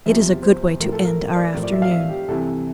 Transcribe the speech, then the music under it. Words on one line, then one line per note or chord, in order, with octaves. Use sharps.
"It is a good way to end our afternoon."
E2 C3 F3 E5
C5
A2 F3 A#4
A4
A#4
D5
A2 F3 A#4
D5
E5
F5
E5
G4
C2 C3 E3 A4